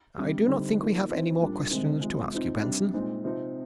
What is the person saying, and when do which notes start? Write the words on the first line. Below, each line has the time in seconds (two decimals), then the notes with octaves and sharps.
"I do not think we have any more questions to ask you, Benson."
0.18 C3 G3 D4
0.48 D3 G3 C4 D#4
0.79 F3 A#3 D#4
1.09 F3 C4 D#4
1.41 A#2 G3 A#3 D4
1.71 C3 D#3 G#3 C4 D#4
2.01 C3 F3 G#3
2.31 C3 F3 C4 D#4
2.62 C3 G3 D4
2.93 A#2 G#3 C4 D#4
3.24 C3 F3 C4 D#4